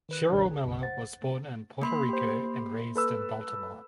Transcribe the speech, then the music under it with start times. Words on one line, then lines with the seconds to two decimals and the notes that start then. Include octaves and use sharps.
Cheryl Miller was born in Puerto Rico and raised in Baltimore.
0.09 D#3 B4 F#6
0.30 G1 C#2 B2 D#3 D4 C#5
0.51 G#4
0.65 B1 F#2 C#3
0.82 C5 F#5 A6
1.82 A#3 B5 C6
2.09 G4 C5
2.95 A4 B4 E6